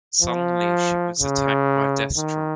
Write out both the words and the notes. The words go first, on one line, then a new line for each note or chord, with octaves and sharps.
Suddenly, she was attacked by Destron.
F3
C#3
D#3